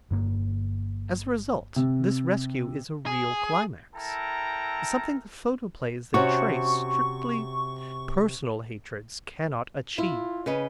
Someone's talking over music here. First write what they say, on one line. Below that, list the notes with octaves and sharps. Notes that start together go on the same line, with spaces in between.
As a result this rescue is a real climax, something the photoplays that trace strictly personal hatreds cannot achieve.
G1 G2 A#3
C3
G#4
E4 A4 A#4 G5 A5 A#5
C3 C#4 F#4 C#6
E4 F4
C#3 B4 D#5